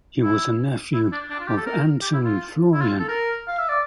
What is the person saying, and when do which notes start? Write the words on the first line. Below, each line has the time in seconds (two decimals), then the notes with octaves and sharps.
He was a nephew of Anton Florian.
0.23 E4
0.94 E4
1.12 D4
1.30 D4
1.40 F4
1.47 G4
1.57 A4
1.66 A#4
2.01 G4
2.13 E4
2.25 F4
2.73 E4
2.81 F4
2.99 A4
3.08 A#4
3.48 F5
3.58 E5
3.69 D5